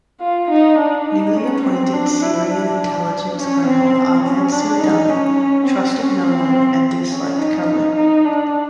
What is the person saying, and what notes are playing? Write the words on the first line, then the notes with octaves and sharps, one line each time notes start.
Newly appointed Syrian Intelligence Colonel Ahmed Su'edani trusted no one and disliked Cohen.
F4
D#4
D4
D#4
C#4
C4
D4
E4
D4
C#4
C4
C#4
D4
D#4
C#4
C4
C#4
C4
C#4
D#4
D#4
D#4
D4